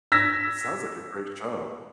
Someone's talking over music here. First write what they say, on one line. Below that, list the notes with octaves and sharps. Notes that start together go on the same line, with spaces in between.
It sounds like a great show.
E6 G#6 A#6 B6